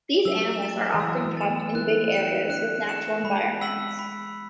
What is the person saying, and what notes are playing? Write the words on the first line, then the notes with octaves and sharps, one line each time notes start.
These animals are often kept in big areas with natural environments.
F#3 E6
A6 E7
E3
F#3 E6
A3
A6 E7
B3
E4 F#6
C#7 E7
D4 F#6
C#7 E7
G#3 B5
E6 B6 F#7
B5